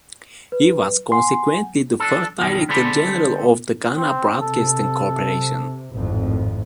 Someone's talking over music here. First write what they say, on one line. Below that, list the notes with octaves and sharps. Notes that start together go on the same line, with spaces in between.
He was consequently the first Director General of the Ghana Broadcasting Corporation.
B4
F#5 G#5 C6
D4 A4
E2 G2 B2 D#3
D3 G#3 C4 G4 A4 B5
C4
C3 A4
G#1 F2 A2